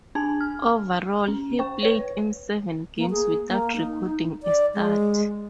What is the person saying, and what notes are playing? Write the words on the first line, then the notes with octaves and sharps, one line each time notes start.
Overall, he played in seven games without recording a stat.
D4 G#5 A5 G#6
F6
C#4
C5 G5 C#6
B4 C#5
A#3
G#4
A#3
D#4
D5
G#3